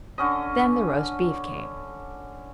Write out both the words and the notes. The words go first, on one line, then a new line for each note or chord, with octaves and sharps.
Then the roast beef came.
D3 C#4 D#5